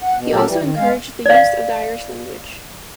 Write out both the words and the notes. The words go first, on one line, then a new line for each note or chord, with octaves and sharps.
He also encouraged the use of the Irish language.
F#5
B2
A#2 F#3 A3 G4 A4 A#4
E3 G3
D#3
G#3 F5
D5 F5